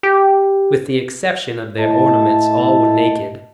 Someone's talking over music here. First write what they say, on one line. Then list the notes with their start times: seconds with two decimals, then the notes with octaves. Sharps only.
With the exception of their ornaments all were naked.
0.03 G4
1.78 A2 E4 D#5 A5